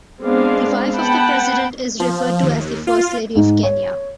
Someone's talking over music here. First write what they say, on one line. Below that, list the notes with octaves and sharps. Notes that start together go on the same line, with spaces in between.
The wife of the President is referred to as the First Lady of Kenya.
G#3 B3 C4 D4 F5
B3 F#5 G5 A5 B5
F3
D#2
F4
G#2
C#5